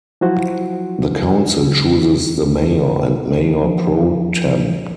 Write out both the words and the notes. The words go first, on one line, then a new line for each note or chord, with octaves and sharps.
The council chooses the mayor and mayor pro tem.
F3 F#3 E4 F#4 C5
F3